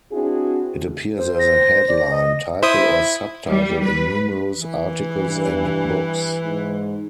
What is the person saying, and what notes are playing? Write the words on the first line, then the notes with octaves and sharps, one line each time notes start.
It appears as a headline, title or sub-title in numerous articles and books.
C4 D4 E4 F#4 G#4
C5
A#6
D5
D#5
E4 C5 D#6
G3
B4
E3
G2
G#2